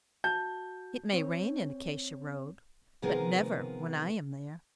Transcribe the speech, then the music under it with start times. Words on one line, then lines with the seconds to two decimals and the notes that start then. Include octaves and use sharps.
It may rain in Acacia Road, but never when I am there.
0.24 F#4 A5 G6
1.13 C4 C#5
3.02 C3 D#3 F3 B3 G#4 A#4